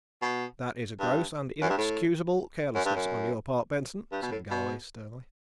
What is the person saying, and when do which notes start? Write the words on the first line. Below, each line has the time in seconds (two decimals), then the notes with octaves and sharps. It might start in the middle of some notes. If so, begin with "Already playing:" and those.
"That is gross and inexcusable carelessness on your part, Benson," said Galloway sternly.
0.22 B2
0.99 G2
1.61 F#2
1.70 G2
1.78 A2
2.75 F#2
2.85 G2
2.95 F#2
4.12 G2
4.22 B2
4.31 A2
4.51 B2